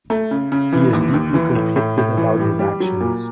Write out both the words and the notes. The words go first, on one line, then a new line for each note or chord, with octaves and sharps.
He is deeply conflicted about his actions.
A3
C#3
C#3
E3
D#2
D#2
E3
A2
A2
A2
E3
G3
G3
F#3
A#2